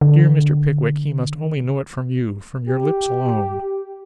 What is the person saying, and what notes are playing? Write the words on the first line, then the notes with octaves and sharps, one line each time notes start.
'Dear Mr. Pickwick, he must only know it from you--from your lips alone.
D3
G4